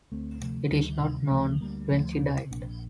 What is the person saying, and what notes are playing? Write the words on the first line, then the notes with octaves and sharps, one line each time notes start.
It is not known when she died.
D2 A3 C4
C3 F3 A3
D2 D#3 G3
C3
D2 F3 A3
D2 G3 A#3
D2 F3 A3
C3
A#1 A#3 D4